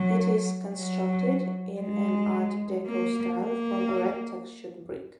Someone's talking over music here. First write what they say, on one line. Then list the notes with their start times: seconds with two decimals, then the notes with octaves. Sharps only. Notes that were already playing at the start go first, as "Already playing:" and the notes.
It is constructed in an Art Deco style from red textured brick.
Already playing: F#3
0.75 F#3
1.82 G#3
2.87 A#3
3.41 A#3